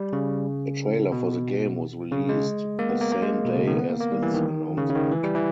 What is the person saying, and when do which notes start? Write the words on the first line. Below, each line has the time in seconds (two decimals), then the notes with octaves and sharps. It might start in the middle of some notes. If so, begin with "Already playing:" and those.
A trailer for the game was released the same day as its announcement.
Already playing: G3
0.13 C#3
1.12 B2
2.11 C#3
2.29 G#3
2.79 A#3
2.89 B3
3.01 A#3
3.12 A#3
3.22 G#3
3.44 B2
3.56 C#3
3.67 D#3
3.78 B3
3.89 A#3
4.00 A#3
4.12 G3
4.22 E3
4.34 D#3
4.78 C#3
4.90 C#3
4.95 D#3
5.12 E3
5.24 G3
5.35 E3